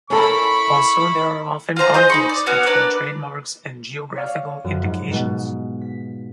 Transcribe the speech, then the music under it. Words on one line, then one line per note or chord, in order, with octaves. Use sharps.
Also, there are often conflicts between trademarks and geographical indications.
C#4 E4 A4 A#4 B5 C#6
F4 A#4 C5 A#5
G#4 C5 D#5
D#4 B5 C#6
D5
B3 C#4 F#4
D4 A#4 B4 D5
C#5 D5 F5 E6
F#2 F3
G#2
G#2 B2 G#3
B6